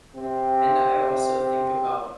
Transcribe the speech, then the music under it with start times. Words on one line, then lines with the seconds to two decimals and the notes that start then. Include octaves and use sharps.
and I also think about
0.14 C3 C4